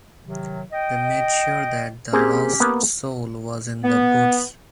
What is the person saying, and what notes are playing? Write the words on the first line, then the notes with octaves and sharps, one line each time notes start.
They made sure that the lost soul was in the boots.
C3 D#3 F#3
D#5 G5
A#3 C4 C#4 G4 G#4
A#3 B3
B3